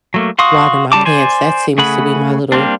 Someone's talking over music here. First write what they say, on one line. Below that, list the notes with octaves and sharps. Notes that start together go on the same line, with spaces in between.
water my plants, that seems to be my little
F#3 A3 A#3
F#4 F5 C6 C#6 D#6
C#3 G3 F4 A5 D6
C5 D5 G#5
C#3 A3 G#4 F#5 B5
G3 A#3 C4 D4